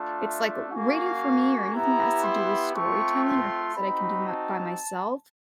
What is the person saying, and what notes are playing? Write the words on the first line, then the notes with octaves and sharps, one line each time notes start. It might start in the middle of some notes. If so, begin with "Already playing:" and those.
it's, like, reading for me or anything that has to do with storytelling or things that I can do my by myself
Already playing: A3 D4 F4
E5
A#3 C#4 F#4 F5
B3 E4 G4 A#5
C6
A3 C4 F4 C#6
C6
C4 D#4 F#4 B5
A5